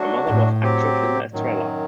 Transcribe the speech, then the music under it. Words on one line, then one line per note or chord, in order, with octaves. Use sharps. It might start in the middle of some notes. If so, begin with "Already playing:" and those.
Her mother was actress Linda Estrella.
Already playing: F#3 A3 D4 F#4
A2
F#3 C4 G4
F#2 A2 D#3 F#3